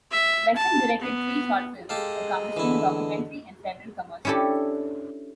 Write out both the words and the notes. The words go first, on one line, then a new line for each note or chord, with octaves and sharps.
Besson directed three short films, a commissioned documentary, and several commercials.
E5
A5
B3
G#3 G4 A4 D#5 F5
D3 E3 E4
C#4 D4 E4 G4 A4